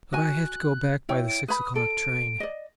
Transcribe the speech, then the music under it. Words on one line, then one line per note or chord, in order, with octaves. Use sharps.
But I have to go back by the six o'clock train.
F#4 G#5 F#6
E4 C#5 G5
D7
B4 B5 D#6
A4 D7
D5 D#5